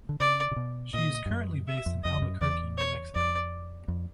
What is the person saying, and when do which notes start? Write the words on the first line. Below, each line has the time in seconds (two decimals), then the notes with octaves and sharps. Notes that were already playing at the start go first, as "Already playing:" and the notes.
She is currently based in Albuquerque, New Mexico.
0.09 D3
0.20 C#3 D5
0.51 C3
0.56 B2
0.94 A#2 D#5
1.26 G2
1.31 F#2
1.68 E5
1.86 F2
2.04 F2 D#5
2.18 G2
2.22 F#2
2.41 E2 D5
2.78 C#5
3.15 F2 D5
3.88 F2